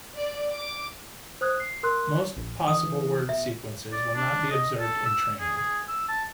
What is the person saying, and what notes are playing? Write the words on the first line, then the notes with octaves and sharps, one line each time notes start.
Most possible word sequences will not be observed in training.
D5
D6
C5 D#6 F#6 G#6
C7
A#4 C6 F#6
A#1
E3 D#6
B2 E5
D5
D4
D#5
A4
E6
G#4
G#4
E6
A5